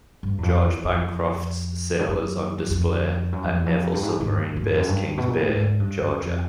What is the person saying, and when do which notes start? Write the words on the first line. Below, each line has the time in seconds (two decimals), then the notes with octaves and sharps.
"George Bancroft"s sail is on display at Naval Submarine Base Kings Bay, Georgia.
0.23 G2
0.38 E2
0.43 F2
0.64 E2
0.85 F2
1.99 G2
2.09 F#2
2.71 F2
3.32 F#2
3.44 F2
3.55 E2
3.66 F2
3.94 G2
4.03 G#2
4.12 G2
4.20 G#2
4.29 G2
4.56 G#2
4.67 F2
4.77 F#2
4.87 G2
5.17 B2
5.29 A#2
5.39 A2
5.49 G#2
5.80 G2
6.01 F#2
6.22 F2